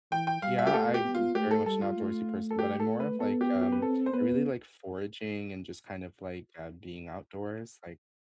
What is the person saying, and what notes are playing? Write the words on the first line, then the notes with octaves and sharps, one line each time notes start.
Yeah, I'm m very much an outdoorsy person, but I'm more of, like, um I really like foraging and just kind of, like, uh, being outdoors, like,
E3 G5
G5
G3 F5
E5
G4
A3 A4
G4
B3
F4
A3 G4
A4
G3 A4
F4
A3
A4
G4
A4
B4
B3 A4
G4
G4
B4
C4 A4
C5
B3 B4